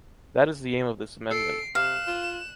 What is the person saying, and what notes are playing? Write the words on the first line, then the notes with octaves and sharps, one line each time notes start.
That is the aim of this amendment.
A4 C7 D7
C3 F5 F#6 E7
F4